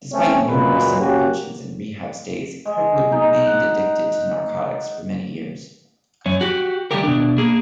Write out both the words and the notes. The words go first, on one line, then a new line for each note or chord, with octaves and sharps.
Despite numerous interventions and rehab stays, Kirkwood remained addicted to narcotics for many years.
A3 C4 C#4
F#2 A#2 C#3 G#3 F#4 B4
A#3 C#4 F#4 G4
G#3
D#4
F#5
F#2 C#4
F#4 G4
D#3 G3 A3 G4 A#4
B2 D4
A#3 G#4